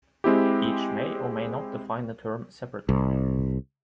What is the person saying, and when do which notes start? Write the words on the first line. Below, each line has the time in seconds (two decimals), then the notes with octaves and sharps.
Each may or may not define the term separately.
0.24 G#3 C4 E4 G4
2.89 C2